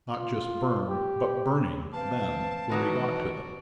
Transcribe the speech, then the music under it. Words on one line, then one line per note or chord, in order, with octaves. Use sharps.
Not just burned, but burning, then, when we got to them.
F4
G4
E3 C4 F5 A5
A2 D#3 E3 F#3 F#4 D5